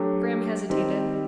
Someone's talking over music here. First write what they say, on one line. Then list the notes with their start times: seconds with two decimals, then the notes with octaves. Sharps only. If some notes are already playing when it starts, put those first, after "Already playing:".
Graham hesitated.
Already playing: F#3 A3 D4 G4
0.70 D#3 G3 C4 D#4